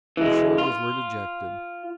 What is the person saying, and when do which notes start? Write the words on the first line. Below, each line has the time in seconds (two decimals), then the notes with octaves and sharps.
Her shoulders were dejected.
0.17 E3 G#3
0.58 F4